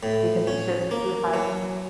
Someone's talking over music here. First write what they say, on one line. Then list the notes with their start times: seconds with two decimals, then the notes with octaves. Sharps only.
because it's just, "Who has
0.03 A2
0.47 C#4
0.91 A#3
1.33 F#3